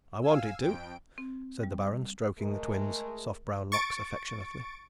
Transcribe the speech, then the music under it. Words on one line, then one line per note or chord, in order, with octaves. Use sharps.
"I wanted to," said the Baron, stroking the Twins' soft brown locks affectionately.
F5 G#5 E6
F2 G5 D7
C4
G3
G#3 A3 A#4
C#6 A6 D7